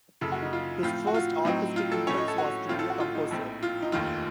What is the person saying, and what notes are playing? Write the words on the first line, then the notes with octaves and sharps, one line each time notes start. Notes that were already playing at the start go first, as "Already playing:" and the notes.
His first artistic impulse was to be a composer.
F#1 F#2 C#3 A4
F#4
D#4
F4
A2 F3 C4 F4
F#4
F4
A2 F#3 C4 D#4
F4
A4
A2 A3 C#4 C#5
D#5
A4
F#4
A1 A2 A3 C4 F4
A4
F#4
F4
D#4
A#1 A2 A3 C4
F4
D#4
F1 D#2 D#3 A3 F4